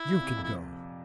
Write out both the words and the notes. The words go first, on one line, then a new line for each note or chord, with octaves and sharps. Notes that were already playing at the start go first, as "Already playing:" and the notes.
"You can go."
Already playing: E4
A#2
C3
F2
E4